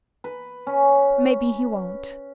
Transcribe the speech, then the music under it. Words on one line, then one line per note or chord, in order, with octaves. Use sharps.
Maybe he won't.
B4
C#4